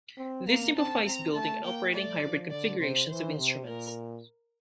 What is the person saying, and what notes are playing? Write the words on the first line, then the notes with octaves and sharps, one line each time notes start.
This simplifies building and operating hybrid configurations of instruments.
C4
A#3 A#5
C4 A5
C4 A#5
A3 A5
A#3 G5
A3 D5
F3
D3 D5
C3 C5
E3 C5
C3
A#2 A#4